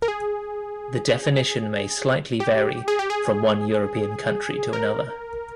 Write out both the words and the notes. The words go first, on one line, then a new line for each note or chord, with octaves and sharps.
The definition may slightly vary from one European country to another.
A#4
G#4
G4
G#4
G4
G#4
A#4